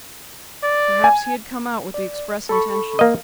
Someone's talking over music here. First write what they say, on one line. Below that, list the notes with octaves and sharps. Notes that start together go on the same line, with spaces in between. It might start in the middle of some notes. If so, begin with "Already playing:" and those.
Perhaps he had come out with the express intention.
D5
G#5
D5
A4 B5 C#6
A#3 D#5